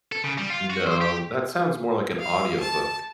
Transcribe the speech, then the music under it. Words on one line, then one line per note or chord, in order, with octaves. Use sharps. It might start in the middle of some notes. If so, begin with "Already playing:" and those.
No, that sounds more like an audiobook
A4
C#3
G3
F4
F#4
C5
G4
F5
A5